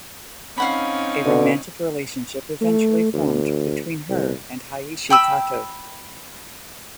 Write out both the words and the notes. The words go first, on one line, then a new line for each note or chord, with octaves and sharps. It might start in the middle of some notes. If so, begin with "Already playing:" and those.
A romantic relationship eventually formed between her and Hayashi Kato.
C4 C#4 D#4 F5 F#5 B5
B2 D3
A3
D2
C2
G5 B5 E6